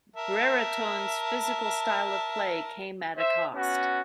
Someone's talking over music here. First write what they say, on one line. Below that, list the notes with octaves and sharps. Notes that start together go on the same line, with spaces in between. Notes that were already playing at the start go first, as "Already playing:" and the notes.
Brereton's physical style of play came at a cost.
A#4 E5 A5
C5 E5
B3 C#4 F#4